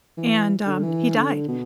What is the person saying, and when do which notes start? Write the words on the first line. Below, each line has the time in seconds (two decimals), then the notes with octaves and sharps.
and, um, he died.
0.17 E3
0.66 D3
0.83 E3
1.16 D3
1.48 B2